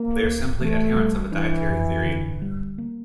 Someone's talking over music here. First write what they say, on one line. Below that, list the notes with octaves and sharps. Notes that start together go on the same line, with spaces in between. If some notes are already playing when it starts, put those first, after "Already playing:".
They are simply adherents of a dietary theory.
Already playing: A#3
C#2
E3 A3
G3
E3 D4
F2
D3
G3
A#3